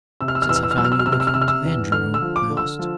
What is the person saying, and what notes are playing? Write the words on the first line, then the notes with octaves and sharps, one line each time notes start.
"Since I found you looking into the engine-room?" I asked.
C3 E6
F6
E6
F6
E2 E6
F6
E6
F6
F#3 E6
F6
E6
F6
C3 E6
F6
E6
F6
C3 E6
F6
E6
E2
D3 F6
E6
F3
D6
D3
E6
F3